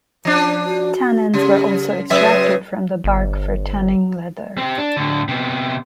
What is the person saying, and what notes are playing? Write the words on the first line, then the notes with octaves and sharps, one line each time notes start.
Tannins were also extracted from the bark for tanning leather.
F3 D4
F#4
C#3 G4
C#3 F#3 B4 E5
G1
C4 G4
D4
A2 D3
C3 B3